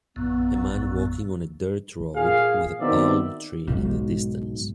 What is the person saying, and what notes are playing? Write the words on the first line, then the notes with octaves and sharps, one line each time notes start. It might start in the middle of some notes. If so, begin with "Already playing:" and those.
A man walking on a dirt road with a palm tree in the distance.
A#1 F#2 A2 B3
A#2 G#4 F5
D#3 B3 C4 F#4 D5 E5
B1 G#2